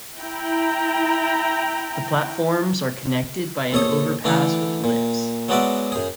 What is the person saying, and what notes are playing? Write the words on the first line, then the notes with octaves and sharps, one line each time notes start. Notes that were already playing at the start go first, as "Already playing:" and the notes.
The platforms are connected by an overpass with lifts.
E4 G5 A#5
A#1 A4 C#5 D#6
D3 E3 A3 D4 E4
A#2
F#3 G#3 B3 F#4 D5 E5
F#2 G#4